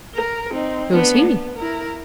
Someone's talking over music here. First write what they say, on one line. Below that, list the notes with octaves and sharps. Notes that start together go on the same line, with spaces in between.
"Who is he?"
A#4
C4 D#4
B3 D4
B3
E4 A#4